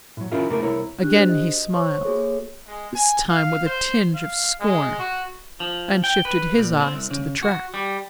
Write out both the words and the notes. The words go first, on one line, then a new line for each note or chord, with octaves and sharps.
Again he smiled, this time with a tinge of scorn, and shifted his eyes to the track.
A2 F#3
C#4 E4 F4 A#4 E5 F5
C#3 A3 A#3 E4 A4 A#4
C2 E4 A#4 C#5
D4 G4 F#6
F#4 C5
D#5
C5 C#5 C#6
A#3 F#4 G#4 A4 C#5
G#3
G#5
F5
C5
F5
G#3
F#4
F3
G5
B4
A#2
C4
C2
C#3
F#4
G3